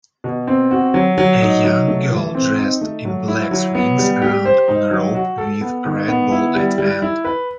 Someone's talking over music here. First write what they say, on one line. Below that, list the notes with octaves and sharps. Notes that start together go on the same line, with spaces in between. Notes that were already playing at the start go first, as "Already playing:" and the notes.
A young girl dressed in black swings around on a rope with red ball at end.
B2
C4
F#4
F#3
F#3
D#4
F#3
A3
E3
C4
D#4
A3
F#3
E4
F#3
B3
G3
G4
C5
D#4
F#3
F#4
A4
B3
D#3
B3
E4
G3
G3
E4
B4